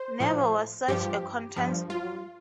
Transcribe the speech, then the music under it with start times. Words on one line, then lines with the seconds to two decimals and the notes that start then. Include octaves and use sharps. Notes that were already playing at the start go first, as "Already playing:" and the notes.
Never was such a contest known.
Already playing: C5
0.20 A2 F3
0.88 G2 F3 G4
1.56 G2 F3
1.90 F4